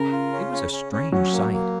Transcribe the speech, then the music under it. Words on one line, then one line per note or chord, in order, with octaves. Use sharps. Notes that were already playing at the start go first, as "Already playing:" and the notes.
It was a strange sight.
Already playing: C#3 A#4
F4
C#4
C#4
C#4
C#4
F#3 C#4
A#3
A#3